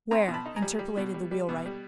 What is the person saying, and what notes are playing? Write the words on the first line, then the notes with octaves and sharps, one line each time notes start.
"Where?" interpolated the wheelwright.
C4 G#5 A#5
B2
A5 B5
D#4
G#5 A#5
G3
G3
B2
G3
G3
B2
G3